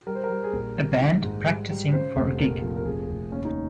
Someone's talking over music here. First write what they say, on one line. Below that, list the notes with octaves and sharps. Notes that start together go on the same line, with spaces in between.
A band practicing for a gig.
G3 A#4
C5
A#4
G3
G#4
A#1 A#4
G3
D#3
G#2
G3
G3
C#3 C5
F1
A#1 A#4
F3
A#4
F1 G#4
F1
D#2 C#4
D#4